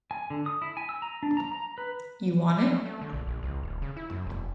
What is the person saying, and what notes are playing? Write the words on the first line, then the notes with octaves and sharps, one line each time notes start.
You want it?
G#5
D3
D#6
E4
G#5
E6
A#5
D4
A#5
A#5
B4
F#3
A3
D3
A#1
A#1
C#2
D#1
C#3
E4
F#2
E1